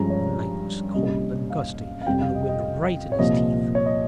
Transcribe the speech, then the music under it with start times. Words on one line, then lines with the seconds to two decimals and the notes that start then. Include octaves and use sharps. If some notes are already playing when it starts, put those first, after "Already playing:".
The night was cold and gusty, and the wind right in his teeth.
Already playing: G2 F3 G#3 C#4 A#5
0.10 C#5
0.94 C2 A#2 G3 C#4 D#5
1.50 F5
2.01 F5
2.06 F2 C3 G3 G5
2.20 F5
2.35 D#5
2.49 D#5
3.12 C#5
3.18 C2 A#2 F3 D#5
3.75 C#5
3.86 D#5